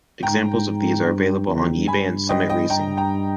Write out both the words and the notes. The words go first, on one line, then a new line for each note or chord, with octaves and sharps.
Examples of these are available on eBay and Summit Racing.
G#2 G5 A#5
G2
E2
G2 G#5 B5
D#5 G5
D#5 G5
G2 G5 A#5
G5 A#5